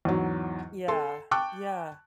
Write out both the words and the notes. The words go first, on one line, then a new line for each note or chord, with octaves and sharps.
Yeah. Yeah.
E2 G#2 F#3
A4 C6
G5 A5 C#6 D6 F#6